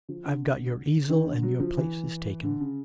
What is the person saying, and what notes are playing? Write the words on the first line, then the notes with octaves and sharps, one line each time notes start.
I've got your easel, and your place is taken.'
F3
D3
D3
D#3
D3
F#3
F3
E3
D3
C#3